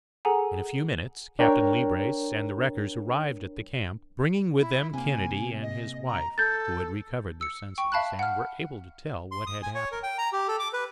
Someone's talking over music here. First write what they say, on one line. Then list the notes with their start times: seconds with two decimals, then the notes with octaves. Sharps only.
In a few minutes Captain Leebrace and the wreckers arrived at the camp, bringing with them Kennedy and his wife, who had recovered their senses, and were able to tell what had happened.
0.25 G#4 A4 F#5 G#5 A#5
1.39 D4 A#4 C#5 G5 A#5
4.60 E4
4.93 C3 A#3 G#5
5.63 D#5
6.07 A#5
6.38 A4 G6 A6
7.41 E6 C#7
7.78 G5 C#6
7.92 E5 F5 A5 B5 F#6
8.19 F#5 F6
9.31 C6
9.47 D#6
9.63 G#5
9.75 C#5
9.92 A#4
10.03 G5
10.18 A#5
10.32 G4
10.48 A4
10.59 D6
10.73 B4